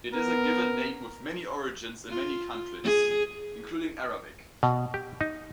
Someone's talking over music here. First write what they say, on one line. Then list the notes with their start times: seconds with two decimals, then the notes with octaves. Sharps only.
It is a given name with many origins in many countries including Arabic.
0.13 B3 A#4
2.09 F4
2.83 G#4
4.63 B2
4.94 G4
5.21 D#4